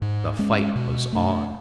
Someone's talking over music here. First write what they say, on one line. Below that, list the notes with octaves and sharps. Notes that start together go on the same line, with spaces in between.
The fight was on!
G#2
G#3 C#4
B2
A3 D4